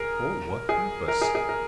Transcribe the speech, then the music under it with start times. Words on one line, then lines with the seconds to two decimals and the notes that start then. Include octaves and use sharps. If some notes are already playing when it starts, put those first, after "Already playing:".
"For what purpose?"
Already playing: G#4 A#4
0.69 G#4
1.08 A#4
1.22 G#4
1.35 G#4
1.49 A#4